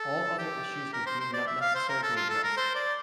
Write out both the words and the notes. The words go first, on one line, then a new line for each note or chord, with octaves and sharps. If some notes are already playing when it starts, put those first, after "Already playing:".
All other issues were deemed not necessary to address.
Already playing: A4
G4
A#4
C5
C5
D5
E5
F5
C5
A#4
A4
F4
A4
A#4
C5
D5